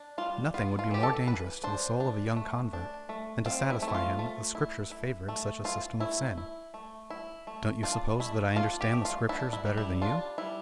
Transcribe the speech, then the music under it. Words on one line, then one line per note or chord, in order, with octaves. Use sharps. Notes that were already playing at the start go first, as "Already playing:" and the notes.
Nothing would be more dangerous to the soul of a young convert than to satisfy him that the Scriptures favoured such a system of sin." "Don't you suppose that I understand the Scriptures better than you?
Already playing: D4
G3 F4
B3 F4
F4
E3 G4
A4
E3 B4
D4 C5
D4
A3
D4
A3
C4 F4
E4
A3
E4
F4
A3
E4
E4
A3
E4 F4
A3 E4
E4
A3
E4
A3
D4 F4
A3 E4
D4 F4
G4
A3
F4
D4 E4
E4
G3
E4
D4 F4
G3 E4